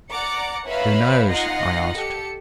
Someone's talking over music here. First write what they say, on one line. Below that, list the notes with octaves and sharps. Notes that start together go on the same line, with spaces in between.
"Who knows?" I asked.
D5 F#5 A#5 D6 C#7
B4 C#5 E5 F5 A#5 B5
D#4 F4 D#5 F#5 A#6 C7
G4 A4 C#7